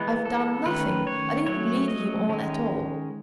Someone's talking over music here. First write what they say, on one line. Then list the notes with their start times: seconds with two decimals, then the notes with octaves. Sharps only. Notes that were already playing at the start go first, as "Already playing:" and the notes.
I have done nothing, I didn't lead him on at all.
Already playing: E3 G#3 B3
0.25 A4
0.66 D#3 A3 C#4 B4
1.07 C#5
1.46 F#3 A3 C#4 C#5
1.88 D#5
2.29 D#3 G#3 C#4